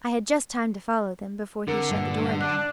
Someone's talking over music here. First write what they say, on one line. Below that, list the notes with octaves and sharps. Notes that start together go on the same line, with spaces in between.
I had just time to follow them, before he shut the door again.
D3 C4 A#4
G2 A#2 G3
D4